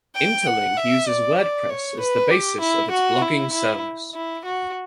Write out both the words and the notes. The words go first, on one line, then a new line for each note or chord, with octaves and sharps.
Intelink uses WordPress as the basis of its blogging service.
G5
F#5
E5
D5
D5
C#5
B4
G4
E4
F#4
E4
E4
E4
F#4